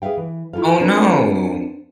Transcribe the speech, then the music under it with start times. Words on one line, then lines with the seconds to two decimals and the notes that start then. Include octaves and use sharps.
Oh, no.
0.02 G#4 B4 E5 F5 G5
0.17 E3
0.53 E4 F4 G4 A4 F5
0.80 C4 D4 F4 A#4 B4